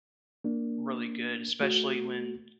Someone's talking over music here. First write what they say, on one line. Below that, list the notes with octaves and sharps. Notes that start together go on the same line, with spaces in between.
really good, especially when,
A#3 D4
A3 F#4